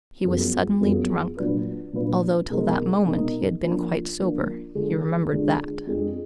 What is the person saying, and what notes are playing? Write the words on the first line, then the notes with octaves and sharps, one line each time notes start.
He was suddenly drunk, although till that moment he had been quite sober, he remembered that.
F#2 F3 B3 F4 G#4
F#2 F3 B3 F4 G#4
A#2 F#3 D4 F4 B4
A#2 F#3 D4 F4 B4
B2 G#3 D#4 A#4 D#5
B2 G#3 D#4 A#4 D#5
F3 A#3 D4
F3 A#3 D4
D3 G#3 D4 F4 G#4
D3 G#3 D4 F4 G#4
F2 F3 G#3 D4 G#4